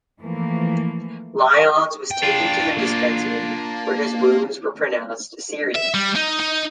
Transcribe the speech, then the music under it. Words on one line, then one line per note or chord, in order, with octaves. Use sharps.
Lyons was taken to the Dispensary, where his wounds were pronounced serious.
E3 F3 A3 A#3
G5
D4 F4
A#3
E5
G3
D#4
D#4